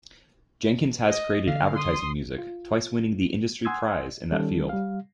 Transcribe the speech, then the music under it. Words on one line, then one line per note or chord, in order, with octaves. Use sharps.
Jenkins has created advertising music, twice winning the industry prize in that field.
D#5
D3 F5
C6 D#6
F4
F#5 G#5 C6 D#6 E6 G#6
D#3 G3 C#4 A4
G3 F5